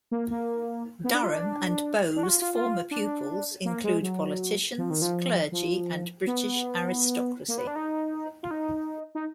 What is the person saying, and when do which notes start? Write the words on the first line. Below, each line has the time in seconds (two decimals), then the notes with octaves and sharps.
Durham and Bow's former pupils include politicians, clergy and British aristocracy.
0.11 A#3
0.31 A#3
1.04 B3
1.14 D4
1.23 F4
1.33 D4
2.16 D4
2.23 F#4
2.29 F4
2.42 F4
2.55 F4
2.91 D4
3.65 A#3
3.84 G#3
4.03 F#3
4.78 F3
4.90 D#3
5.02 F3
5.52 F3
6.27 B3
7.48 A#3
7.58 B3
7.67 D4
7.76 D#4
8.43 F4
8.51 D#4
9.15 D#4